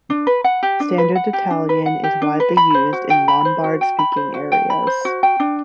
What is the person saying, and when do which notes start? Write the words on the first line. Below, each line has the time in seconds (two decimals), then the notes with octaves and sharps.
Standard Italian is widely used in Lombard-speaking areas.
0.10 D4
0.27 B4
0.44 F#5
0.63 G4
0.80 D4
0.98 B4
1.15 F#5
1.33 G4
1.50 D4
1.69 B4
1.86 F#5
2.04 G4
2.22 D4
2.40 B4
2.57 B5
2.74 C5
2.93 F#4
3.10 G5
3.28 B5
3.45 C5
3.64 F#4
3.81 G5
3.99 B5
4.17 C5
4.34 F#4
4.52 G5
4.70 B5
4.87 C5
5.05 F#4
5.23 G5
5.40 D4